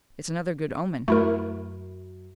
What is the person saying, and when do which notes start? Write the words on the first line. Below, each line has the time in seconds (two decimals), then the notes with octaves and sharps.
It's another good omen.
1.08 F#2 A3 E4 A#4